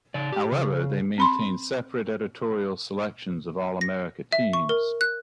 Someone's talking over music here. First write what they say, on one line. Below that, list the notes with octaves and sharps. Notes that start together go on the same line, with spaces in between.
However, they maintain separate editorial selections of All-America teams.
C#3 D5
G4
C#3
C4 B5 C6
A#6
E5
C#6
A#4
F#6